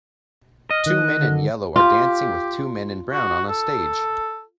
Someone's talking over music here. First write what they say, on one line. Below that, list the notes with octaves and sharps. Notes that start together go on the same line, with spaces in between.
Two men in yellow are dancing with two men in brown on a stage.
D#5 F6
D#3 F#6
D3
F4 G4
F#4
A4